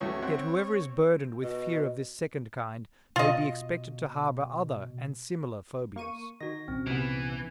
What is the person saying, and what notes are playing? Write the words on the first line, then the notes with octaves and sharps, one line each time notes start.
Yet whoever is burdened with fear of this second kind may be expected to harbor other and similar phobias.
C#2 F#3 A3 C#5
C4 E5 F#5
B2 D#5
B2 F4 D#5
A#3 C#6 D#7
D#3 F#4 A#6
C2 A#2 C4 C#4
C3 E3 B3